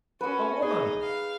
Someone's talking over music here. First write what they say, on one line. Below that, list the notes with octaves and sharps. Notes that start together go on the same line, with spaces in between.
The woman!
C#4 F#4 B4 D#6
D#4 G#4 D#5
F5